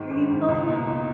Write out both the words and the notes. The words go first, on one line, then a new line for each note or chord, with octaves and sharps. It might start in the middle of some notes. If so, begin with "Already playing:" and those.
why are you calling me?"
Already playing: G#1 G#2 D#3
G#1
G#2 D#3
C#2
B2 A#3 D#4
C#2